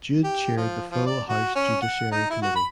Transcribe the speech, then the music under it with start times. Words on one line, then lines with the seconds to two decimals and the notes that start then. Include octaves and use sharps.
Jude chaired the full House Judiciary Committee.
0.23 G4
0.56 F3
0.91 F3
1.06 D5
1.29 F#4
1.55 C#4
1.81 F#5
2.11 D#4
2.30 E4
2.42 F#4
2.55 B5